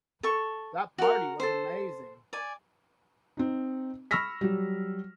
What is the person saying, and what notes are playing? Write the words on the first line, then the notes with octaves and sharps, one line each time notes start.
That party was amazing.
A4 C#6
F#4 A#4
A4 C5
D5 G#5
C4 D#4
B5 C#6 E6 F6 A#6 B6
F#3 G3